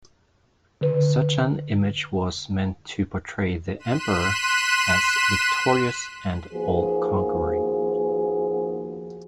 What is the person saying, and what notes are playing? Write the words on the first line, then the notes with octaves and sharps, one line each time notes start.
Such an image was meant to portray the Emperor as victorious and all-conquering.
D3 B4
C6 F#6 B6 D#7 E7
D#2 F3 A#3 B3 F#4 G#4